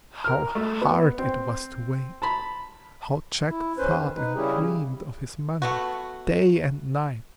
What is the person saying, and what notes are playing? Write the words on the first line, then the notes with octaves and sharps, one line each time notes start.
How hard it was to wait! how Jack thought and dreamed of his money, day and night!
A#4 F6
A3
B3
C4
A5 B5
E4
E2 C#4 B4 C5
D#3
D#4 B4
C#3 G3 C#4 E4 G4 G#4
A3 B3 F#4